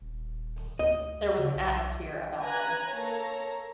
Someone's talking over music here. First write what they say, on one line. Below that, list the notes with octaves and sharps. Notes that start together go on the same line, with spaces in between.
There was an atmosphere about them.
D#1
D2 D#5
C#3
B1
B4 G#5 A#5 F#6
A#3 A4 C#5 A#5